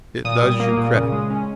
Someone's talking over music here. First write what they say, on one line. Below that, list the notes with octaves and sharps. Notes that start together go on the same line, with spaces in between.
It does you credit.
A#2 D#6
G3
A#3
A#2
C#3
G#3
C#4